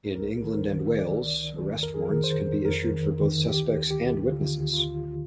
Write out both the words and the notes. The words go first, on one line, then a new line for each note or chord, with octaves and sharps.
In England and Wales, arrest warrants can be issued for both suspects and witnesses.
C2 A#4
D#3 A#4
C5
D#3
D#3 D5
C2
D#3
F2 A#4
G#4
D#3 A#4
C5
F2
F2 A#4
D#3
D#3
D2 G4
D2
G4
D2
D3 F4
D2
F4
D2